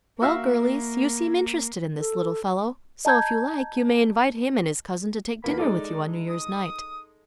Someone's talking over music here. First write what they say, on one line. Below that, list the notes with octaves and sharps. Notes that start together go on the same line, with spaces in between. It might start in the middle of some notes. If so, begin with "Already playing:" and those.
"Well, girlies, you seem interested in this little fellow so, if you like, you may invite him and his cousin to take dinner with you on New Year's night."
A#3 F#4 E5 F5
A4
D#5 A5 A#5 G6 G#6
E2 E3 A#3 B5
G#3 D#4 A4 D5
D#6